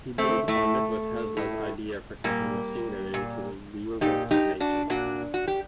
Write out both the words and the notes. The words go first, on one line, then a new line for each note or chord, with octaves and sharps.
He built on Nikola Tesla's idea for connecting machinery to the "wheelwork of nature".
A3 C4
A2 A3
A2
A#2 G3 A#3
A#2
A#2 D#4 G4
D#4 G4
D4 F#4
A#2 D4 F#4
F#4
G4